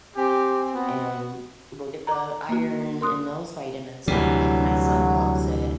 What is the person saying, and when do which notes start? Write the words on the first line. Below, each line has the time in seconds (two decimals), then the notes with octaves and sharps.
and we'll get the iron and those vitamins from it, and my son loves it."
0.16 C4 G4 G#5
0.74 B3 F#4
2.07 A#5 D6
2.49 A#3 F#4
3.01 A#4 C6 D#6 F#6
4.08 D2 C3 E3 F#3 G3